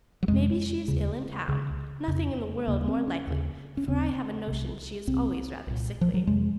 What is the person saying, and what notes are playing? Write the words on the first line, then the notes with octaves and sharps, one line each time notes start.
May be she is ill in town; nothing in the world more likely, for I have a notion she is always rather sickly.
F#3
F2 C3 G#3
D#2 C#3
C#2 C#3
F2 C#3
D#2 C#3 A#3
C4
C#4
D#2 C#3
C#4
D#2 C#3 C4
C2 C3
C2 C3 C4
C2 A#2
F3
F#3
F2 C3 G#3